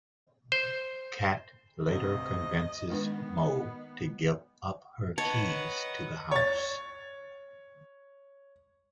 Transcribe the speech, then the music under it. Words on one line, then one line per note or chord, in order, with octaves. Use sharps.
Kat later convinces Mo to give up her keys to the house.
C5
D2 G2 C3 D#5
D#3 G#3 B3 D4 B4
D#5
A#4 B4 C#5 D#5 F#5 A5
C#5 A6